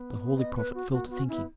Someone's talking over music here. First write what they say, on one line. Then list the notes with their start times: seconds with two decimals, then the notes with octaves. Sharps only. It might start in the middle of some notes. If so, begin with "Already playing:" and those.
The holy prophet fell to thinking.
Already playing: B3
0.38 D#5
0.57 B4
0.75 F#4
0.92 A#3 F#4
1.06 B3 F#4
1.20 C#4
1.29 B3 E4